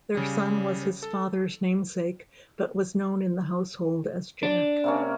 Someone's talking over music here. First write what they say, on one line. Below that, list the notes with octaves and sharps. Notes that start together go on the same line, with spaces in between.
Their son was his father's namesake, but was known in the household as Jack.
C#3 G3
A4
D4
C3 A#3 C#4